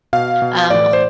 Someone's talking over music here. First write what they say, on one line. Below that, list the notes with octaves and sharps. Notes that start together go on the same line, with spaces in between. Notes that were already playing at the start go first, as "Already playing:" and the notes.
Um, h
B2 F5
B2
A2 E3 D5
C5